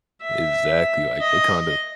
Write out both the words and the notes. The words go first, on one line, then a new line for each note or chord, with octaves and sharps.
Exactly, like, they kinda
E5
D#5